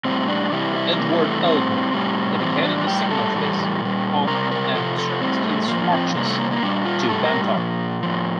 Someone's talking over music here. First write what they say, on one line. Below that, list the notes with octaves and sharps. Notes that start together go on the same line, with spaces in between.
Edward Elgar dedicated the second of his "Pomp and Circumstance Marches" to Bantock.
A2 G3 C4
D4
C3 E3 G3 E4
E4
C3 E3 G3 A#3
A3
A2 G3 C4
A2 G3
A2 E3 G3 C4
D4
A2 G3 G4
A4
A2 E3 G3
A#2 G3
C3 G3 A#4
A#4
C3 F3 A4
A4
A2 G3 C4
A3
A2 F3 A#3
C4
C3 G3 A#3
A3
A#3
A#3
A#2 G3 D4
F4
A2 G3 A4
A#4
A#2 F3
A2 F3